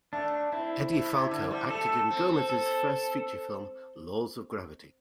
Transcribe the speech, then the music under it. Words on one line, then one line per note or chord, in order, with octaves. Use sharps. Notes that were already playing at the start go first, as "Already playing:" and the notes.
Edie Falco acted in Gomez's first feature film, "Laws of Gravity".
A3 D4
C4 E4
A3
C3
D3
G3
A3 A4
C4
A4